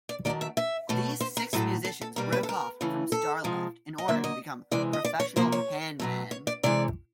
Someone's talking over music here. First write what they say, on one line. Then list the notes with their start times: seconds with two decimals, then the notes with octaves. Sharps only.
These six musicians broke off from Starlift in order to become professional panmen.
0.09 D5
0.25 D#3 F#3 A3 D5
0.41 E5
0.57 E5
0.89 B2 F#3 A3
1.21 C5
1.37 A#4
1.53 A2 F#3 A3 A4
1.85 A4
2.01 A4
2.16 B2 G3 A#3 A#4
2.32 B4
2.43 A4
2.49 A#4
2.81 C#3 E3 A3
3.12 A4
3.44 C3 F3 G#3
3.98 D#5
4.08 D3 F#3 A#3 E5
4.24 D#5
4.71 C3 E3 G#3 D5
4.93 D#5
5.05 D5
5.20 C#5
5.36 C3 F3 A#3 C5
5.52 C#5
6.00 B2 F#3 A3
6.31 C#5
6.47 D5
6.63 C3 E3 G#3 D5